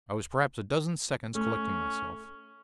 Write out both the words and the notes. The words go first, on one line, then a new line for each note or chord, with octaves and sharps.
I was perhaps a dozen seconds collecting myself.
A3 C#4